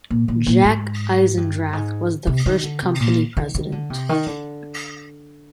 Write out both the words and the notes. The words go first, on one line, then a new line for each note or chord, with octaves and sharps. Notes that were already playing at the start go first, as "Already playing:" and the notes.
Jack Eisendrath was the first company president.
A#2
A#2
A#2
G#2
G2
G#2
C3
D#3
D3
C3
A#2
D#3
D#3
D3
C3
D#3
D3